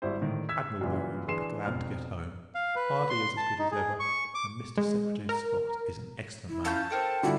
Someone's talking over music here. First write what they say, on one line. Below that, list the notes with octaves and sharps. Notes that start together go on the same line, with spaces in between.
Admiral Murray will be glad to get home; Hardy is as good as ever; and Mr. Secretary Scott is an excellent man.
G#1 G3 E4 C5
A2 D#3
E6 G#6 B6
F#2 A#2 C#3 E3
E3 D4 G#4 C6 C7 E7
E1 F2 F6
F5
B4
C6
A5
D#4
G#4
C#6
D6
G#3
A#4
E4
C#4 F4 A5 G6
A4 A#4 C5 G5
D3 G3 E4 F#4